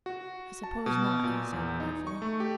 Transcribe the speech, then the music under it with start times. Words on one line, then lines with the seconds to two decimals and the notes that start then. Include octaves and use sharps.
"I suppose not," he said regretfully.
0.06 F#4
0.63 A5
0.86 B2
1.24 A#2
1.53 E2
1.80 D#4
2.07 C#6
2.22 A3
2.40 G4